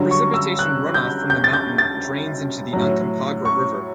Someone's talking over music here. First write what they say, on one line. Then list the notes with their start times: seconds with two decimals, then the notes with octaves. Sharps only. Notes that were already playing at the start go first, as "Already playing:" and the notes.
Precipitation runoff from the mountain drains into the Uncompahgre River.
Already playing: G2 D3 F#3
0.11 C#6
0.34 E6
0.59 F#6
0.94 G6
1.30 G6
1.44 A6
1.53 G6
1.78 A6
2.73 A2 F#3
3.45 C#6